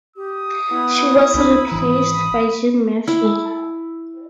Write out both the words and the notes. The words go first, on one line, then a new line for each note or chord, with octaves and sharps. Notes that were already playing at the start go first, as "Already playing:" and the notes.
She was replaced by Jim Murphy.
G4 D#6
B3 E4
C2 C4 D4 B5
G#1 E3 D#6
E4